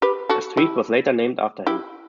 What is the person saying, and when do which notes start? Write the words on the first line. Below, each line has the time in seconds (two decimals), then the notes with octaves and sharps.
A street was later named after him.
0.02 G4 B4
0.29 F#4 A4
0.57 E4 G4
1.67 E4 G4